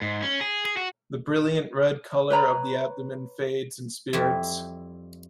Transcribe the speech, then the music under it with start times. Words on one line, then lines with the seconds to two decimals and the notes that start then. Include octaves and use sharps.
The brilliant red colour of the abdomen fades in spirits.
0.02 G#2
0.22 C#4
0.41 G#4
0.65 G#4
0.77 F#4
2.30 B4 C#5 A#5 B5
4.13 F2 G3 E4